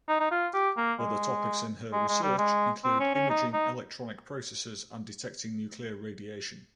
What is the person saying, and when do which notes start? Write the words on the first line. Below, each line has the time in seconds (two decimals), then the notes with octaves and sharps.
Other topics in her research include imaging electronic processes and detecting nuclear radiation.
0.08 D#4
0.20 D#4
0.31 F4
0.54 G4
0.77 A#3
1.00 G#3
1.93 G#3
2.08 G#3
2.23 G3
2.38 G#3
2.84 C4
3.00 C#4
3.15 C#4
3.30 D#4
3.54 D#4